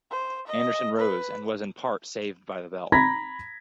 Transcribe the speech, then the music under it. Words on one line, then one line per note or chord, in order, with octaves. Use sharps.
Anderson rose and was in part saved by the bell.
C5
D#5
B4
A#5 B5 G#6 A#6 B6